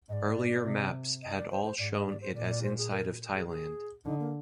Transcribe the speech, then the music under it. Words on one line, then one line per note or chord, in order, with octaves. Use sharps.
Earlier maps had all shown it as inside of Thailand.
G#2 D5 D#5
C3
D#5
D5
C5
C5
G#2 D5
D#5
D5
C5
A#2 D5
D5
C5
G#4
A#4
G#4
G#4
D3 D#4
A#3